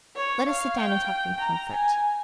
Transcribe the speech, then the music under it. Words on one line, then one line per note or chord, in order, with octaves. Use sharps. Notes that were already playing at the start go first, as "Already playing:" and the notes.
Let us sit down and talk in comfort.
C#5
F5
G5
A#5
G#5